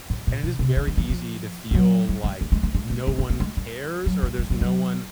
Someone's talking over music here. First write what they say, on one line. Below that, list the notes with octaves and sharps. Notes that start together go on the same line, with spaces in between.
and it is very easy to feel like no one cares or there's no one,
A2
A#2
B2
C3
D3
D#3
E3
F3
F3
F#3
G3
G#3
A3
G#3
A3
G#3
A3
G#3
A3
A3
G#3
G3
F#3
G3
G#3
G3
F#3